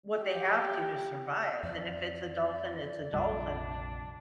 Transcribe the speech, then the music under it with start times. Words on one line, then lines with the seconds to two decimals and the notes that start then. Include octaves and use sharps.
what they have to, to survive, and if it's a dolphin, it's a dolphin,
0.23 G4
1.63 F2 D5
3.14 A#1 F2 C3 G3 D4